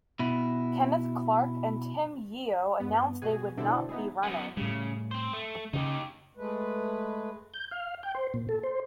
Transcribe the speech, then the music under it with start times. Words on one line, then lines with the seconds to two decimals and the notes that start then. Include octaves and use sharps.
Kenneth Clarke and Tim Yeo announced they would not be running.
0.19 B2 E4
2.80 G2 B3
3.22 B2 F#4 G#4 G#5
3.57 B2 D3 C4 D4 E4 A4
3.89 B3 D#4 E4 G#4
4.23 F#2 B3
4.57 A2 C#3 G3
5.11 C4 C5
5.33 A3
5.73 C#3 D#4 G4
6.37 G#3 A3 B4
7.53 G6
7.71 F5
8.03 G5
8.15 C5
8.34 A#2
8.49 A4
8.63 C5